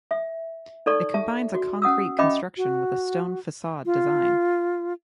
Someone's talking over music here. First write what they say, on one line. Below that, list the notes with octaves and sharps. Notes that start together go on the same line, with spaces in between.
It combines a concrete construction with a stone facade design.
E5
D#4 A4 D5 C#6
G4 E5 A5
F#4
C#4 F#5 D#6 E6
C#4 D#5 E5 G5 B5 D6
F#4
F4